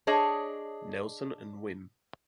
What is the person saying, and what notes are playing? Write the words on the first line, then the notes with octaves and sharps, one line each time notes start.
Nelson and Wm.
D4 G#4 C#5 D#5